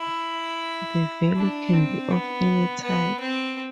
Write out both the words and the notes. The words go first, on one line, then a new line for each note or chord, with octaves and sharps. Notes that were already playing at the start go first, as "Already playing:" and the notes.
The value can be of any type.
Already playing: E4
D4
C4
B3
B3
C4